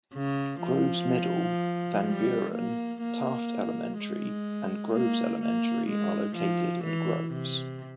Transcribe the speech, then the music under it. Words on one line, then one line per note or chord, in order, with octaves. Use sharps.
Groves Middle, Van Buren, Taft elementary, and Groves elementary are located in Groves.
C#3
F3
G3
A#3
A#3
G#3
A#3
A#3
G#3
F3
E3
C3